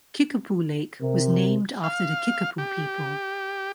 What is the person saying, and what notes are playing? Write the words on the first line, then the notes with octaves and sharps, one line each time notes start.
Kickapoo Lake was named after the Kickapoo people.
C3 A#4
F5
G4